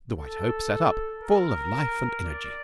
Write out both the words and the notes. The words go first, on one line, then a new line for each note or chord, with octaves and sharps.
The White Hope sat up, full of life and energy.
A4
A#4
D5